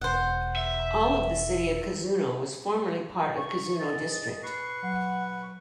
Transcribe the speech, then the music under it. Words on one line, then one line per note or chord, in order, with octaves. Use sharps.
All of the city of Kazuno was formerly part of Kazuno District.
E1 C5 F#5
E5
C#6
G#4 D#5 A6
B4 C#6 C7
F#3 F#5